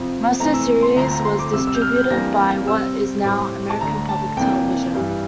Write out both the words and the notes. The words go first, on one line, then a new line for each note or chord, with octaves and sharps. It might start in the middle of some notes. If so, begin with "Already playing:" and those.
Most of the series was distributed by what is now American Public Television.
Already playing: F2 C3 F3
C3 E3 A3 C4 A#5
E6
C6
D2 D3 F3 A3 C4 A#5
A#5
C6
D6
F2 C3 G3 E6
E6
G6
F6
G6
F2 E3 G3 A#3 D4 A#6
C3 G3 C4 E6
A2 G3 C4 D6
A5
D2 D3 A3 D4 A#5
A5
F2 C3 E3 A#3 D4 G5
G2 E3 G3